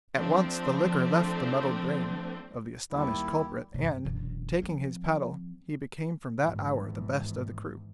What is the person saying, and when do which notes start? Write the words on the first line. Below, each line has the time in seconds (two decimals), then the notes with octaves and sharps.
At once the liquor left the muddled brain of the astonished culprit, and, taking his paddle, he became from that hour the best of the crew.
0.15 F3 A3 C4 D4
2.91 D#2 G3 E4
3.74 F#2 C3
4.05 E1 F#2
4.62 F3 C4
6.44 G#1 E2